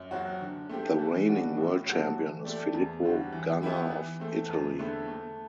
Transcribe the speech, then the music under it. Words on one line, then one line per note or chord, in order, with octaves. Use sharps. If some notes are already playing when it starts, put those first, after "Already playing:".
The reigning World Champion is Filippo Ganna of Italy.
Already playing: F#2
F#3 C4 F#4
D3
A3 C4 G4
E3
G3 D4 F#4
A2
F#3 C4 F#4 A4
E3
A3 C4 G4 D5
E2
D3 G3 C4 F#4
E3
B3 E4 G4
E3
A3 C4
E2
D3 A3 C4 E4
A3